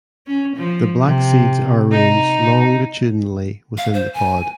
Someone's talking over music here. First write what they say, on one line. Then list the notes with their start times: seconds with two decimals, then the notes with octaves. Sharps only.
The black seeds are arranged longitudinally within the pod.
0.27 C#4
0.56 F3
1.05 C3
1.92 D#4
3.78 F5
3.94 C5
4.14 G#5